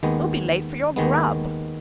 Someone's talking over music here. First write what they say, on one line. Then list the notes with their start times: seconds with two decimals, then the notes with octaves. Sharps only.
You'll be late for your grub!'
0.03 D#2 D#3 G#3 B3
0.96 D#2 D#3 G#3 B3